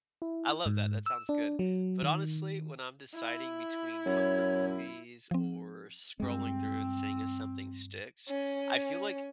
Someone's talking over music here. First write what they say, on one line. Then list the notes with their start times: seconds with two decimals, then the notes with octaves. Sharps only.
I love that, that sounds good. But, honestly, when I'm deciding between comfort movies or scrolling through and seeing if something sticks, I feel like,
0.22 E4
0.66 G#2
1.06 E6
1.29 D4
1.59 F#3
2.03 D#3
3.14 E4
4.06 F#2 C#5
5.31 F3 C4
6.20 G2 G#3 C4
8.29 C#4